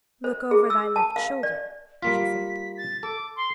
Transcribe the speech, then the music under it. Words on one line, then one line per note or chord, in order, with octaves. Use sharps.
"Look over thy left shoulder," she said.
C5
G#4
E6
A5
F5
D5
G3 A#3 F4 B6
A6
A4 D6
C6